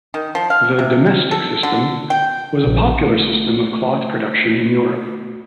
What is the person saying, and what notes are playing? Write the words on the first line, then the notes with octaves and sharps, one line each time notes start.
The "domestic system" was a popular system of cloth production in Europe.
D#3
F3
F5
C3
A4
D3
G5
A#1 C3
A3